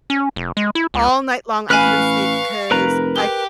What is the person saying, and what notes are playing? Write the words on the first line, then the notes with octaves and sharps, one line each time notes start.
All night long, I couldn't sleep because I c
C#4
F1
G#3
E4
C#2
A1 B4 F5 G#5 B5 C#6 F6 F#6
F1 A#4 B4 A#5
G4 G7